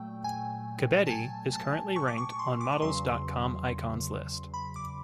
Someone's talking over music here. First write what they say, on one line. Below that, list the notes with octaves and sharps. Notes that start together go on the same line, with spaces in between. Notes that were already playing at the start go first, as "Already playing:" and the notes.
Kebede is currently ranked on models dot com icons list.
Already playing: A#2 F#3 A3 G5
G#5
A5
G#5
A5
C#6
D6
C#6
C#6
C6
D6
C#6
E2 C#3 F#3 C6
B5
D6